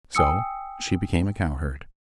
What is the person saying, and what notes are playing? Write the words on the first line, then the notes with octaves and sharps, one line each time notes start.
So she became a cowherd.
G5 G#5 D#6 E6 C#7